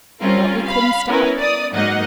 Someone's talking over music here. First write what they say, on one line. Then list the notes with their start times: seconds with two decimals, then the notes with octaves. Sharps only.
But we couldn't stop.
0.21 G3 C4 C#4 F4 A#4
0.65 F5 B5
1.07 B3 C#4 E4 A#4 B4
1.38 D5 D#6
1.74 G#2 F#3 A#3 D#4 D#5 F#5